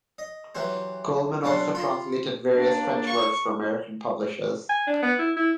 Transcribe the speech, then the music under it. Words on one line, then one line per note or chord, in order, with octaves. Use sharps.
Coleman also translated various French works for American publishers.
D#5
E3 F#3 G4 C5
B1 D4 F5 F#5 C6
F4 B5 C6
C#2 A#3 D4
C#6
G#5
D4
B3
E4
E4